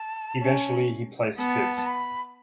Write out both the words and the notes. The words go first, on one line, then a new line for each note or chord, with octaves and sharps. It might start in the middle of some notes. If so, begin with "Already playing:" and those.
Eventually, he placed fifth.
Already playing: A5
C#4
B3 A5
A5
B5